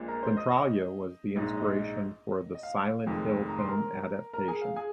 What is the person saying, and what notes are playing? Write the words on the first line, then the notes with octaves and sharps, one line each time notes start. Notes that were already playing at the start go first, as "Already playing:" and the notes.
Centralia was the inspiration for the "Silent Hill" film adaptation.
Already playing: A#1 A#2 G#3
A#4 A#5
C5 C6
D#5 D#6
D#5 D#6
A#1 G#2 G#3 D#4
D#5
D#5
F5
F1 F2 D#3 G#3
A#5
C6
A#4 A#5
A#4 A#5
G#4 G#5
F5
G#4 G#5